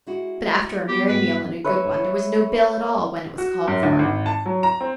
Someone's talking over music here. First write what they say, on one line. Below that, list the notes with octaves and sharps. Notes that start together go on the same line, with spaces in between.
But, after a merry meal and a good one, there was no bill at all when it was called for.
G#3 E4 F#4
G3 B3 G4
G#2 F#4 B4
B4 C#5 E5
F#4
F#2
D2
G#1
A5
F#3
A#5
C4